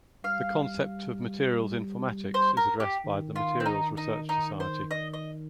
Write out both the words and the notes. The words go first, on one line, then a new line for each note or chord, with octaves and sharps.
The concept of materials informatics is addressed by the "Materials Research Society".
G3 F5
G3
C5
A#4
G4
D#3
F4
C4
D#4
D#4
D#4
C5
D#5
D#5